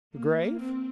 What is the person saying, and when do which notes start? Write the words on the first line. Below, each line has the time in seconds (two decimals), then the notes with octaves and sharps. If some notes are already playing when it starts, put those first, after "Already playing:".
"The grave?"
0.14 A#3
0.58 C4